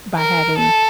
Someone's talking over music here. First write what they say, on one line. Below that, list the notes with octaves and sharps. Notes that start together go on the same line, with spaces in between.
by having,
A#4
A4